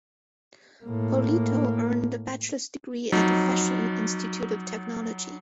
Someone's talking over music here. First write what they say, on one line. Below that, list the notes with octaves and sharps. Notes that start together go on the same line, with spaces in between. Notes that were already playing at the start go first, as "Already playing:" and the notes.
Polito earned a bachelor's degree at the Fashion Institute of Technology.
A2 A#3
F2 F#3 D#4